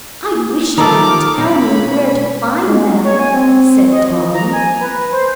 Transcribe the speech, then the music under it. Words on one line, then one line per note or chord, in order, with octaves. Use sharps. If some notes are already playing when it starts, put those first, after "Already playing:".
"I wish you would tell me where to find them," said Tommy.
D#3 F3 A3 A4 A#5 D6 F6
B2 C#4 B5
G#3
C#5
G#5
C4
D#5
F3
A#5
G#5
B4
C5